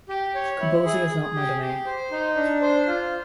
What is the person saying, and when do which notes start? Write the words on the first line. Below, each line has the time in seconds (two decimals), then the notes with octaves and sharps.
Composing is not my domain.
0.09 G4
0.35 C#5
0.60 E4
0.85 G#4
1.10 G#4
1.35 G4
1.61 G4
1.86 C5
2.11 D#4
2.36 D4
2.61 C5
2.87 F4